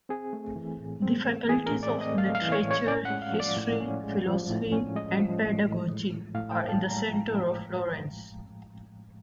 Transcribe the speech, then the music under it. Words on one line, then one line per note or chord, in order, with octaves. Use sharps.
The Faculties of Literature, History, Philosophy, and Pedagogy are in the centre of Florence.
C4 G#4
A3
E3
A2
C4
A3
E3 G#4
A#4
A2
D5
C4
D#5
A3 F5
F5
E3
C#5
A2
C#5
C#4 D5
F#5
G#3
F5
F3
D5
A2
C#4
G#3
F3
A2
C#4
G#3 D#5
F3
A2
A2
G#3
F3
A2 F5
G5
A2
A5
G#3
A#5
F3
A2